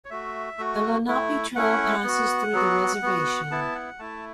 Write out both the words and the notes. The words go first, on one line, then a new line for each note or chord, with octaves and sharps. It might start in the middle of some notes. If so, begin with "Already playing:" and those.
The Lenape Trail passes through the reservation.
C#5
A3 F#4 E5
A3 F#4
A3 E4
A3 C#4 E4 F#5
B3 F#4
F#3 B3 F#4
B3 F#4
B3 E4 A5
F#5
A3 E4 A5